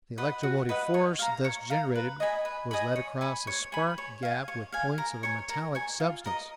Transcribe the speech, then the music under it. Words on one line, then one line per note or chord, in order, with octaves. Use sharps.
The electromotive force thus generated was led across a spark gap with points of a metallic substance.
B4 D#5 F#5
F#4
B4 D#5 F#5
C#5
F5 A#5
C#5
F5 A#5
B4
D#5 G#5 B5
B4
D#5 G#5 B5
C#5
G#5 B5
C#5
G#5 B5
C#5
F5 G#5
C#5
F5 G#5
A#4
C#5 G#5
A#4
C#5 G#5
F4
A#4 D#5